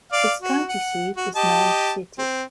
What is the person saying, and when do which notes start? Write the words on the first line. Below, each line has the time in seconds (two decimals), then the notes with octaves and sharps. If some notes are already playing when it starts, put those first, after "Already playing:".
Its county seat is Mound City.
0.12 D5 F5
0.42 F#4
0.69 F#5
1.17 F#4
1.36 G4 D#5 A5
2.18 C4